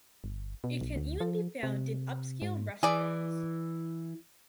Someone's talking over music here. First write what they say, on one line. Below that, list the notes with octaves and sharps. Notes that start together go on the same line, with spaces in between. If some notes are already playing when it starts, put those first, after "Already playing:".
It can even be found in upscale restaurants.
G1
B2
B1
D2
F3
C3
G#2
E3 G#4 D5